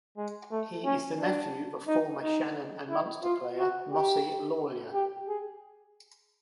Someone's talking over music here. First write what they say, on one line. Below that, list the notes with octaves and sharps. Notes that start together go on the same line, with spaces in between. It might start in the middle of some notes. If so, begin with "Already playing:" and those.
He is the nephew of former Shannon and Munster player Mossy Lawler.
G#3
A3
C#4
D4
D#4
D#4
E4
F4
F#4
G4
G4
G#4